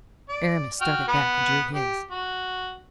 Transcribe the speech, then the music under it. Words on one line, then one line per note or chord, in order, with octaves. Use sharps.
Aramis started back and drew his.
D5
F#4 G5 F6
B3 B4
G4
F#4